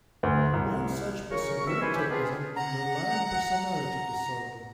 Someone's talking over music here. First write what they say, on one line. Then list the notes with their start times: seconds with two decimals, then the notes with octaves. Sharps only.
One such possibility is an underlying personality disorder.
0.23 D2
0.53 C2
1.31 C#3 A#4 C#6
1.66 C2 B2 C4 E5
1.80 D#3 E3 G4 C5 G#5 B5
1.95 C#2 G4 B5
2.10 B3 C4 D4 F4 G#4
2.56 F#5 A#5